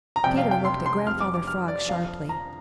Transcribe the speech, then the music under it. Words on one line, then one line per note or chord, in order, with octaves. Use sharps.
Peter looked at Grandfather Frog sharply.
A#5
F2 C3 G3 G5
F5
G5
C6
C6
F1 F2 C3 F3 F6
D6
D6
F6
D5
F2 F3 F5
A#5